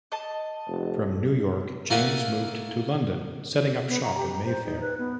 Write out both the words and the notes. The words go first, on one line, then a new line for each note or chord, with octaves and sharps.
From New York James moved to London, setting up shop in Mayfair.
D#5 A5
F1
A3 A#3 F5 F#5 G#5
B3
A#5
G4
A#5
C5
D#4
B4
B3